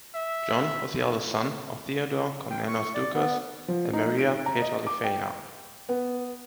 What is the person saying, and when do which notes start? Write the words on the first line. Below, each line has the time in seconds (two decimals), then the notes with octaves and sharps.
John was the eldest son of Theodore Komnenos Doukas and Maria Petraliphaina.
0.15 E5
2.50 G5
2.68 C#6
2.94 D5
3.14 B3
3.68 F3
3.93 D#4
4.18 D7
4.46 A#5
4.62 D#5
4.87 D6
5.04 G5
5.89 B3